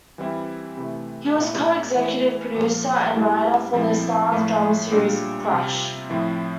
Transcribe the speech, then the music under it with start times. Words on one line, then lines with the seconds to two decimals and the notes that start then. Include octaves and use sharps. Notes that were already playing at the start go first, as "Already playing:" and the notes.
He was a co-executive producer and writer for the Starz drama series "Crash".
0.18 E3 G3 C4 E4
0.77 C3 E3 A3
1.35 A#2 A3 E4
1.95 E3 A3 E4
2.55 A#2 F3 A#3 F4
3.14 A2 G3 A#3 E4
3.73 A#2 F3 C4 E4
4.32 A2 F3 A3
4.91 A#2 G3 D4 F4
5.51 C3 G3 C4 F4
6.10 A2 F3 C4 E4